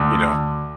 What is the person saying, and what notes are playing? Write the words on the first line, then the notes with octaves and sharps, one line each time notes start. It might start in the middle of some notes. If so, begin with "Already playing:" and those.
you know
Already playing: D2